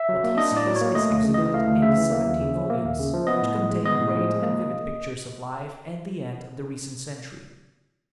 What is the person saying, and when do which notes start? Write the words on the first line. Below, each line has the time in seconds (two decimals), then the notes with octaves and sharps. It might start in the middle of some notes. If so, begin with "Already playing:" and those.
What he sees is exhibited in the seventeen volumes, which contain great and vivid pictures of life at the end of the recent century.
Already playing: E5
0.09 F#3
0.24 A#3
0.37 D4 D#5
0.52 A2 D5
0.67 F#3
0.76 C#5
0.81 A#3
0.95 A3 D#5
1.10 D2
1.24 C#3
1.34 E3 D#5
1.54 A3 F5
1.67 D2
1.82 C#3 E5
1.96 E3
2.12 A#3
2.26 D#2
2.41 C#3
2.55 F3
2.70 A#3
2.84 D#2
2.99 C#3
3.13 F3
3.27 B3 D#5
3.42 A2
3.57 F3
3.71 G#3
3.85 B3 D#5
3.99 A2
4.14 F3
4.29 G#3
4.43 A#3